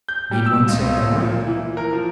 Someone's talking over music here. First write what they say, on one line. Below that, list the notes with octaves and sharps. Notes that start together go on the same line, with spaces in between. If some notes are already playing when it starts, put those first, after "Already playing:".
Need one say more?
G6
G3
E6
C#2
A#2
E3
A#4
F3